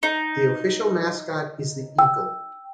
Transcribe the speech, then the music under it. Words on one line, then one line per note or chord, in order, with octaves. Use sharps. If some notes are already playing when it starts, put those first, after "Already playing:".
The official mascot is the eagle.
D#4
G5 E6